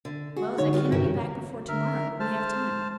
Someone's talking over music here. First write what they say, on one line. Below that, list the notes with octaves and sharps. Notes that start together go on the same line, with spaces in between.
"Well, as I cannot be back before to-morrow, we have time."
D3
F#4 G#4
D3 D#4 C#5
G3 B3 F4 F#4
G2 C3 E3 F#4 G4 A#4
D3 A#4 E5 F6
G#3 C5 A5 F6